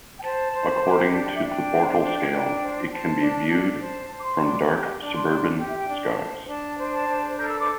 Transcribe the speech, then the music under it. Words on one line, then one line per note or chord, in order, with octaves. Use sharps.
According to the Bortle scale, it can be viewed from dark suburban skies.
G5
C5 A5
C5
G4
D4 A5
G5
E5
D4
G5
C5
D4 G5
D4
C5
G5
C5 A5
D4
D4
C5 A5
C5
D6
C6
D4
G4
D4
A5
C6
D4
G4 G5
E5
G5
D4
A5
C5
D4 A5
C5
A5
D4
A4 G6
E6
D6